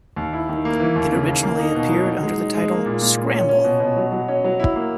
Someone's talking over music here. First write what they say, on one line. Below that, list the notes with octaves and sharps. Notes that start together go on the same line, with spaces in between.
It originally appeared under the title "Scramble".
D#2
E4
D#3
A#3
E3
D#2
C#3
D#2
A#3
D#4
B2
F#3
D#4
G#3
D#4
G#3
A#3
A#2
A#2
A#2
C#4
C#4
B2
B2
F#3
F#3
C#4
F#3
E4
A#3